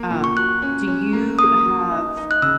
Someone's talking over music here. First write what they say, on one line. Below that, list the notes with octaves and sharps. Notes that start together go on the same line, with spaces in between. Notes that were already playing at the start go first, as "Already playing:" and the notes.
Um, do you have
Already playing: A#3
A#2
C#6
F#3 F#6
C#4
C#4
A#3
A#3 D#6
F#3
D#4
D#4
F#6
C#3 E6